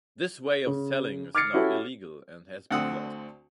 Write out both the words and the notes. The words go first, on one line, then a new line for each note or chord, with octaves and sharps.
This way of selling is now illegal, and has been lost.
C#3
D6 F6 G#6 A6 C7 C#7
C#4 E4 F#4 G4 A4
D2 D3 C4 F#5 D#6 E6